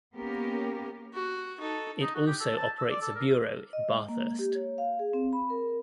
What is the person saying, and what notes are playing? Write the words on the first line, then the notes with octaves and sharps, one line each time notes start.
It also operates a bureau in Bathurst.
A#3 B3 C#4 G4 A#4
F#4
D#4 A4
D#4
F#4
G4
A4
A5
E6
D5
A4
A#4
D#5
G#3
A#3
G4
C#5
F5
G#4
C4
B5
A#4